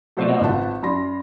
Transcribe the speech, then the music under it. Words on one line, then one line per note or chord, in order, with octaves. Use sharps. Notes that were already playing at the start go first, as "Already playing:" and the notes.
You know,
F#3 A3 F4 F#4 C5 D5
G#1 F4 B4 F#5 A5
F#2 D5 B5 C6 A#6